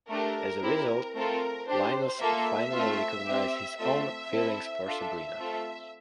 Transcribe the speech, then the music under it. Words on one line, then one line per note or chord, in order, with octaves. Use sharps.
As a result, Linus finally recognizes his own feelings for Sabrina.
A3 D4 G4 A#4
C4 E4 G4
A3 C4 F4 A4 A#4
D4 G4 C5
A#3 F4 A4 E5
A3 C4 F4
C4 G4
A3 C4 F4 A4 E5
C4 E4 A4
D4 F4 A4 E5
A3 C4 F4 A4